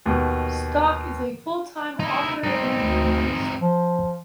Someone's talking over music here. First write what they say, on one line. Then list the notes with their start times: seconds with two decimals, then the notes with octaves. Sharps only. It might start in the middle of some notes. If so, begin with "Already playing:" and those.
Stock is a full-time author and journalist.
0.06 D#2 B2
2.00 D#4 E4
2.44 G3 C4 D#4
2.79 D2
3.61 F3